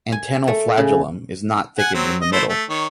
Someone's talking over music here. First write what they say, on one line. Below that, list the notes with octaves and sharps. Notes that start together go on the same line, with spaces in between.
Antennal flagellum is not thickened in the middle.
G#5
A3
C#3
F#5 G#5
F#3 C4
D#5
A3 E4 C5
A3
D#3 C#5